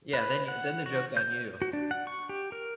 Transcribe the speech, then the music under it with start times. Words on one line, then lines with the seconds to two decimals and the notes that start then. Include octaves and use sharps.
Yeah, then then the joke's on you.
0.13 B4
0.48 F#5
0.86 F#4
1.17 G6
1.62 F#4
1.73 D4
1.91 F#5
2.07 C#6
2.29 G4
2.52 A#4